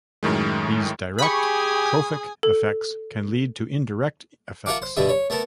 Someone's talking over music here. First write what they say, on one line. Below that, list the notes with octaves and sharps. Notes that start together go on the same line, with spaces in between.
These direct, trophic, effects can lead to indirect effects.
F#2 A2 D#3 G#3
G4 G#4 G#5 B5 C#6 D#6
A4
F4 A#4 E5 F#5 A5 D6
C5
G2 B2 D3 E5 D#6
C#5
A3 B3 A#4 A5